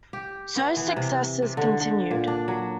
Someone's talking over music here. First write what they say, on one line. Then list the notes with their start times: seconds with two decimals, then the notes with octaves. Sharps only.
Zuo's successes continued.
0.13 G4
0.56 B3
0.77 E3
0.96 C3
1.42 C3
1.57 D3
1.81 D3
2.11 A#2
2.27 D4
2.48 F#3